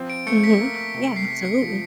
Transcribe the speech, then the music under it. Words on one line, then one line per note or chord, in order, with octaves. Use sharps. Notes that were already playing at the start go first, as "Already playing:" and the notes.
Mhm. Yeah, absolutely.
Already playing: F3 C4
D7
A3 C#7
B6
A#3
C3
C7
A3 B6
C#7
F3